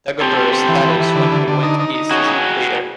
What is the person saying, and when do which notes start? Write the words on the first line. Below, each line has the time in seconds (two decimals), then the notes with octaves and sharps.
Dagobert's status when he went east is unclear.
0.21 C4 G4 A4
0.37 C4
0.53 C4
0.68 E3
0.85 E3
1.00 E3
1.15 D3
1.32 D3
1.48 D3
1.63 D#4
1.80 D#4
1.94 D#4
2.11 C#4 F#4 G#4